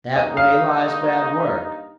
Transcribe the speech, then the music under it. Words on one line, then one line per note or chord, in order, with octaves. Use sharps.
That way lies bad work.'
G2 D#3 A#3 D#4 D#5
F5